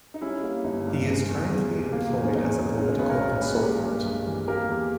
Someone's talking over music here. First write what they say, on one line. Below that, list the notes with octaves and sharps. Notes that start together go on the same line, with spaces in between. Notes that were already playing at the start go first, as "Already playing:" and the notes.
He is currently employed as a political consultant.
D#4
G3 C#4 E4
A#3
G1 D#4
G2
G#3
E2
E2
B2
A#3
E2
C#4
E2 D#4
B2
G#3 C#4
D#4
B1 G#4 B4
A#4 C#5
B1
A#2 G#4 B4
G#3 G4 A#4
G2
G2
E3
A#3 G4 A#4
E2